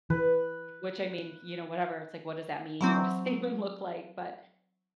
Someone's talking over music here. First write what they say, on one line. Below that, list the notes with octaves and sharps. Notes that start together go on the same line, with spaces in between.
Which I mean, you know, whatever, it's like, "What does that mean? What does it even look like?" But,
E3 B4
E3 F#3 C4